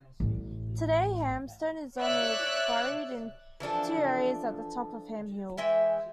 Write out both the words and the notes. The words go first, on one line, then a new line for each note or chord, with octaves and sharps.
Today hamstone is only quarried in two areas at the top of Ham Hill.
A1 A2
C#5 D5 E5 E6 F#6
E3 F3 D4 A4
E3 G#3 E5 G5